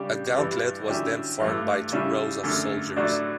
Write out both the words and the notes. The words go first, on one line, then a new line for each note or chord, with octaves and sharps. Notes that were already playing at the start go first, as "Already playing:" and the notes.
A gauntlet was then formed by two rows of soldiers.
Already playing: C#3 G3 D4 G4
G2 E3 G3
D3 F#3 C#4 E4 G4
G2 E3 A3
C#3 G3 C#4 E4
F#2 D3 A3
A2 F#3 A3 D4 F#4